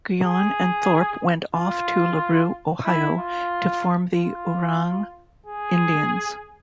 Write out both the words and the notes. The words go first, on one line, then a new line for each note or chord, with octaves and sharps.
Guyon and Thorpe went off to LaRue, Ohio to form the Oorang Indians.
G#4
F4
E4
F4
F4
G#4